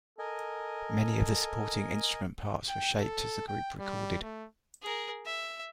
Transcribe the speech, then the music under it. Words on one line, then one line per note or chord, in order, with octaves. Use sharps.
Many of the supporting instrument parts were shaped as the group recorded.
A4 A#4 D#5 G#5
G5
A4
G5
G3
A3
G#4 A#4
E5